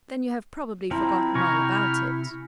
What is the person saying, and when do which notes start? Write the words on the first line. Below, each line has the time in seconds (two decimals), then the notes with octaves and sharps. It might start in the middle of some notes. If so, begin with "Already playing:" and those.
"Then you have probably forgotten all about it."
0.91 F3 C4 E4 A#4
1.35 C3 G5 G#5 A#5 B5 C#6 F6